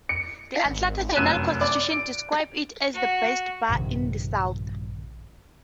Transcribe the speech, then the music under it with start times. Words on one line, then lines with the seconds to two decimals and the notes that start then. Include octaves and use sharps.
"The Atlanta Journal-Constitution" described it as the best bar in the South.
0.09 C#7
0.65 G#1
1.16 F1 F#2 A3 F#6 D#7 E7
1.61 D5
1.91 D7
2.93 F#4
3.69 A#1 G2 C3 D#3